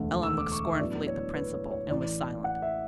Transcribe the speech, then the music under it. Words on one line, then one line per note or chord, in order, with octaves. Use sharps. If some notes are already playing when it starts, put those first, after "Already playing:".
Eleanor looked scornfully at the principal, and was silent.
Already playing: E1 D2 D3 A3
E6
D6
C#6
E5
A2 F#3 B3 D4 D5
C#5
B4
C#5
C#5
A1 A2 E3 D5
F#5
E5